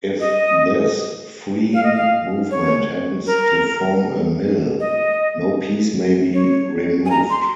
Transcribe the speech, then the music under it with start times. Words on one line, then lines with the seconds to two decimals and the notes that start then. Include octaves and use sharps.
If this freeing movement happens to form a mill, no piece may be removed.
0.20 D#5
1.74 F5
1.84 D#5
1.95 F5
2.51 C#5
3.26 A#4
4.80 D#5
6.34 C#5
7.06 G#5
7.10 A#5
7.30 C6